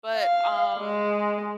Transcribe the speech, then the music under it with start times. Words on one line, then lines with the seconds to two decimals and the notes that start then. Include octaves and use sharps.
But, um,
0.15 F5
0.78 G#3